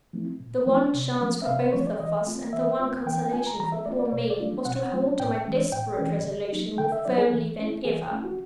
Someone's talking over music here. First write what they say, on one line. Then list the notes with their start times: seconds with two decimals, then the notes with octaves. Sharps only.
The one chance for both of us, and the one consolation for poor Me, was to hold to my desperate resolution more firmly than ever.
0.13 F3 A3 C4 E4
0.40 A#2
0.66 F3 A3 C4 E4
0.94 C3
1.20 F3 A3 C#4
1.42 E5
1.46 C3 F5
1.60 C5
1.73 F3 A3 C#4 C#5
1.87 D5
2.00 E3 D#5
2.26 A3 C4 F4
2.53 E3 E5
2.79 A3 C4 F4
3.06 E3 G5
3.19 G5
3.32 A3 C#4 F4 G#5
3.47 A#5
3.59 E3 A#5
3.72 E5
3.85 A3 C#4 F4 D5
3.99 D5
4.12 B2 C#5
4.30 D5
4.40 F#3 A3 D4 F4
4.65 B2 F#5
4.92 F#3 A3 D4 F4
5.20 A2 G5
5.45 E3 G#3 C#4
5.72 A2 G5
5.98 E3 G#3 C#4
6.26 D3
6.52 F#3 A#3 D#4
6.78 D3 G5
6.92 E5
7.05 F#3 A#3 D#4 D5
7.18 G#4
7.32 E3
7.59 A3 C#4 E4
7.85 E3 G#4
8.11 A3 C#4 E4
8.25 F#4